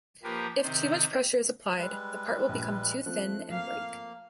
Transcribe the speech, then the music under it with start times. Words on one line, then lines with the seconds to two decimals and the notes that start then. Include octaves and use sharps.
If too much pressure is applied, the part will become too thin and break.
0.23 F3 A#3 G4 A#4 B4
0.63 C3 D#3 C5
1.78 G3 G#3 B4
2.49 A#1
3.06 F3 A3 C4 F#6
3.51 A#3 F5